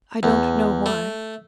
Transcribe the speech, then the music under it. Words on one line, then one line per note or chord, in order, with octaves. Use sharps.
I don't know why.
E2
A3